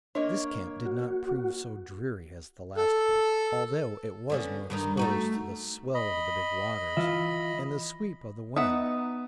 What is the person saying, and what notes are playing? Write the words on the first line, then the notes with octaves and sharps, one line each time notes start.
This camp did not prove so dreary as the last one, although it was more exposed to the swell of the big waters and the sweep of the wind.
A#3 D4 C#5 D#5
F#4
A4
D3 B3 C#4
G2 D#3 D#4
A3 D#4 F#4
D#5 B5
E3 F4 E5
B3 D#4 E5 F#5 D#6